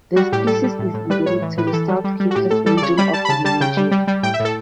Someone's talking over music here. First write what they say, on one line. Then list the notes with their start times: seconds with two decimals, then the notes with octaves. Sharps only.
The species is endemic to the South Caucasus region of Eurasia.
0.16 G3 F#4
0.32 A2 G4
0.47 G3 A4
0.63 G3
0.79 A2
0.94 A2
1.10 G3 B4
1.26 A2 C#5
1.42 E3
1.57 A2 B4
1.67 G4
1.73 E3 A4
1.88 G3
2.04 G3
2.20 G3
2.31 F#4
2.35 A2 G4
2.50 A2 A4
2.66 G3 A4
2.77 D5
2.82 C#3 C#5
2.97 G3 B5
3.13 G3 A5
3.25 B5
3.29 C#3 A5
3.44 G3 A5
3.61 C#3 G5
3.77 G3
3.91 G3
4.07 G3
4.23 A2 G5
4.34 E5
4.40 A2
4.45 A4